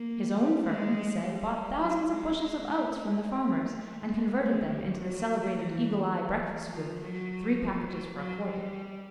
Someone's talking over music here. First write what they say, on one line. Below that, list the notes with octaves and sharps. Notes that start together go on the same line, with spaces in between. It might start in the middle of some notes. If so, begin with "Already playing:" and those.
His own firm, he said, bought thousands of bushels of oats from the farmers and converted them into the celebrated Eagle-Eye Breakfast Food, three packages for a quarter.
Already playing: A#3
A3
G#3
G3
F#3
G#3
A3
A3
G#3
G#3
G3
F#3
E3
F3
F#3
F3
F#3
F#3
G3